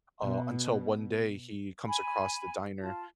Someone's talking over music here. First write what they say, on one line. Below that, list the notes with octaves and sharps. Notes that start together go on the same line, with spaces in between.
uh, until one day he comes across the diner
B2
G#5 B5
F4 A5